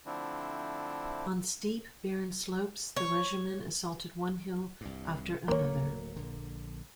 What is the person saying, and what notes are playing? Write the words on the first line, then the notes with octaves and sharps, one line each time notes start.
On steep, barren slopes, the regiment assaulted one hill after another.
D3 F3 A3 C4 D4 E4
C#5
C2 G2
D1 D#2 F#3 A#3 C#5
A#1 D3